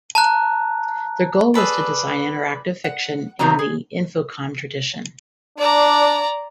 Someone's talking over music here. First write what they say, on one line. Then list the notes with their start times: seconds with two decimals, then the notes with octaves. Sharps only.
Their goal was to design interactive fiction in the Infocom tradition.
0.15 A5 A#5 F#6
1.54 G#4 A4 B4 D5
2.84 F#5
3.39 C3 D#3 E3 F#3 B3 A#5
3.59 G#4
5.58 D4 D5 A#5